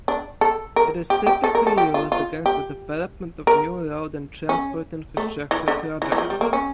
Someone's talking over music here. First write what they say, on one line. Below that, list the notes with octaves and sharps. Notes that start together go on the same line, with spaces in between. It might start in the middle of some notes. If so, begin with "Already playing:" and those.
It is typically used against the development of new road and transport infrastructure projects.
D4
A4
A#4
G4
G4
A4
A#4
A4
G4
F4
F4
G4
A#4
C#4
A3
E3
D3
E3
E3
F3
G3
A#3
C#4